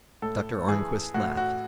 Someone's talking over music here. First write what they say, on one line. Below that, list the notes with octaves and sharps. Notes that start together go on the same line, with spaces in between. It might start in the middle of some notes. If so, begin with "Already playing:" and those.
Dr. Arnquist laughed.
A2 A4
E3 G#4
A2 F#4
F#4